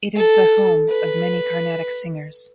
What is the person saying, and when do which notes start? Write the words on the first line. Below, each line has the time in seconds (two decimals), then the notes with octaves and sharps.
It is the home of many carnatic singers.
0.16 A4
0.90 B4